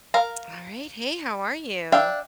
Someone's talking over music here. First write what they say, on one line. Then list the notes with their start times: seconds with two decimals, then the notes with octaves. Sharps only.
All right. Hey, how are you?
0.14 A#4 F5 A#5
1.92 D4 E5 F5 G5